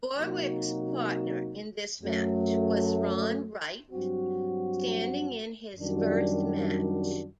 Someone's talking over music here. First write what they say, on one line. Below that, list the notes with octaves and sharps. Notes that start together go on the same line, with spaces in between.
Borwick's partner in this match was Ron Wright, standing in his first match.
C3 F#3 A#3 D#4 F#4
F#2 F#3 A3
G2 F#3 C4 F#4
F#2 D#3 G3 D4 F#4